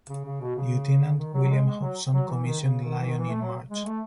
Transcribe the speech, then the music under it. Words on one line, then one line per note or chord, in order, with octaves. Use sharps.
Lieutenant William Hobson commissioned "Lion" in March.
C#3
C#3
B2
C#3
D#3
F#3
F#3
G#3
G#3
F#3
F#3
E3
D#3
C#3
D#3
E3
D#3
E3
A3
F#3
G#3
A3